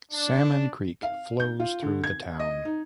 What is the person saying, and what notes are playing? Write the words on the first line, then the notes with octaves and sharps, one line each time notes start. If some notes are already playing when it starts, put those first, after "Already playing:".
Salmon Creek flows through the town.
D4
F5
G6
F4
D3
G#6
D#5
D#4